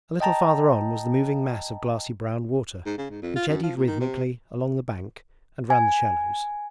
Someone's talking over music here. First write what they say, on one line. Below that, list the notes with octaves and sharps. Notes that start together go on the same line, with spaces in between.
A little farther on was the moving mass of glassy brown water which eddied rhythmically along the bank and round the shallows.
D#5 G5 A5 A#5
G#2
C#3
G#2
F2
F4
F#2
F3
A#2
D#3
C3
G#5